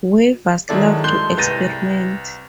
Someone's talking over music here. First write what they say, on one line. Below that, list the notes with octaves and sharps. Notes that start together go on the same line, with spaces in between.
Weavers love to experiment.
D#3 F#3 G#3 E4 A4 D5
G#3 A4 C6 F#6 G6 G7
C2 B4 G6 A6 A#6 D#7